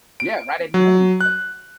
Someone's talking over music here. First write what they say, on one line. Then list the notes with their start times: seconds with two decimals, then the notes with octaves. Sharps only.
Yeah, right at your home, like
0.20 D7
0.74 F#3
1.21 F#6